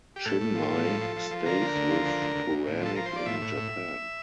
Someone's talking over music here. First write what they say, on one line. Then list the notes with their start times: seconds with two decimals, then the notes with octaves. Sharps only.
Chinmay stays with Puranik in Japan.
0.16 G4
0.26 A2 A4
0.41 A2
0.55 F3
0.71 A2
0.86 F3
1.01 F3
1.16 F3
1.31 F3
1.46 D3 A#4
1.61 D3
1.76 D2
1.90 F3
2.06 D3
2.21 D2
2.36 D2
2.50 D2
2.67 A2
2.81 F3 A4
2.96 F3 A#4
3.06 C5
3.12 F3 D5
3.26 A2 E5
3.42 A2
3.57 A2